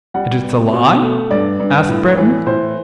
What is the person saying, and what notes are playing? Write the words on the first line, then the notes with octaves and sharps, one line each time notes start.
"And--it's a lie?" asked Breton.
G3 F#5
B3
B2
A3
G2 D5
G2
A2
E3
A2 C5